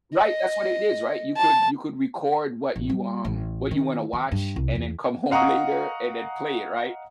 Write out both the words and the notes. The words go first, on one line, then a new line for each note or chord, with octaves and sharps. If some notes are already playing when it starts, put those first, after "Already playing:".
Right, that's what it is, right? You could you could record what you, um what you wanna watch and then come home later and then play it, right?
D#5
A5
A1
G3
A1
D#3
D#3
G2
C2
E2
D#5 F5 F#5 A#5 C#6 D#6